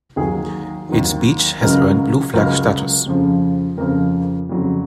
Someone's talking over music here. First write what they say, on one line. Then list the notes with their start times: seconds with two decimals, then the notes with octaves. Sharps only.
Its beach has earned Blue flag status.
0.16 D#2 D#3 F#3 G#4
0.89 D#2 D#3 F#3
1.61 C#2 C#3 F#3 A#4
2.34 C#2 C#3 F#3 A#4
3.06 F2 C#3 F3
3.78 F2 C#3 F3 A#4
4.49 F2 C#3 F#3